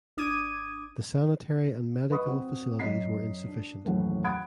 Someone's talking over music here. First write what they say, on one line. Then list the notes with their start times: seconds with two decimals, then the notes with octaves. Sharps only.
The sanitary and medical facilities were insufficient.
0.17 G#1 D4 D6 D#6 G#6 D#7
2.10 B4 D#5 B5 C#6 D#6
2.26 C4 F#4
2.79 F#2 D#5 B6 C7
3.47 D4
3.85 F#1 D#2 A2 E3 F#4
4.24 F#5 B5 D#6 G#6 D7